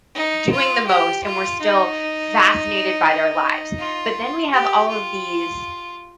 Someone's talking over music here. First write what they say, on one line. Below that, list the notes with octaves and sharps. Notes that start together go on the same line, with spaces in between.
doing the most and we're still fascinated by their lives, but then we have all of these
D#4
F4
G4
F4
D#4
F4
G4
F4